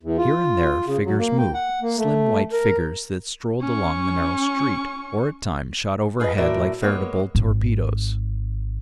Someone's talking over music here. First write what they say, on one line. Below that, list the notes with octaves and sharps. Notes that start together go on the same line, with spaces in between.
Here and there figures moved, slim white figures that strolled along the narrow street, or at times shot overhead like veritable torpedoes.
E2
F4
C#3
F#3
A#3
G5
F#5
A#3
A3
A#4
C#4 C#6
F4 G#4 A#4 B4 D#5
A2 F#3 A#4 D5 E5
G#3 A#3 B3 C#5
G#1